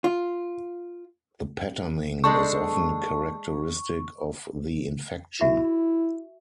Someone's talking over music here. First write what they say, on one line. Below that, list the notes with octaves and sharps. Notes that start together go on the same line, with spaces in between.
The patterning is often characteristic of the infection.
F4
G#3 D4 A4 C#6
E4 F#4 E5 C#6